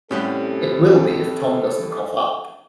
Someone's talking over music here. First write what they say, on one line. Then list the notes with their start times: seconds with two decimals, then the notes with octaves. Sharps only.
It will be if Tom doesn't cough up.
0.11 A2 C3 G3 C#4 G4 A4 F#5